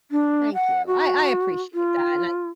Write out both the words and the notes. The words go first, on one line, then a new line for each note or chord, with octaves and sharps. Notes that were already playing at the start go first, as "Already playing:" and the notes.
Thank you. I I appreciate that, and I
D4
F#5
F#4
F4